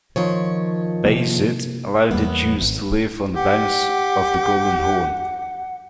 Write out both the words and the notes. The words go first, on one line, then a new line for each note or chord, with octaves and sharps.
Bayezid allowed the Jews to live on the banks of the Golden Horn.
D#3 F3 C#5
C3 A#3
E2 G3 A#3 B3
G#1
G4 F#5